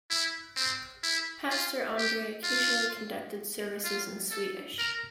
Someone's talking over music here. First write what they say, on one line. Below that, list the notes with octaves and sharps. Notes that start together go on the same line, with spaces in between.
Pastor Andrae occasionally conducted services in Swedish.
E4
C4
E4
F4
G4
F4
F4
A4
A#4